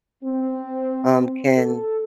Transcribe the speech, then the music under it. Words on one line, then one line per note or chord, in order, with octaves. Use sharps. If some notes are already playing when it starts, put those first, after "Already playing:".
um, can
C4
A4